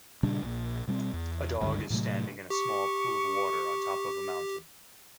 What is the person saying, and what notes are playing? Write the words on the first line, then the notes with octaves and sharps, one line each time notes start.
A dog is standing in a small pool of water on top of a mountain.
A#2 C#3 G3 D4
A#1 A#2
B2 G3 A3 C4
E2
G1 C#2 G2 D3
A2 C3 F#3 A3
G4 C#6